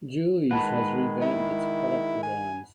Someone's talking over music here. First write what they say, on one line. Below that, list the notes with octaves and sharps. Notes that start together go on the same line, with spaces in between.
Julie’s has revamped its product designs.
D#3 G#3 B4 F#5 A5 B5
E4
G#5